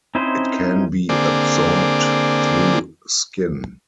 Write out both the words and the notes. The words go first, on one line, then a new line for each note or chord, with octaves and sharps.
It can be absorbed through skin.
C4 C#4 D#4 E4 C5
D3 A#3 C4 G#4 D5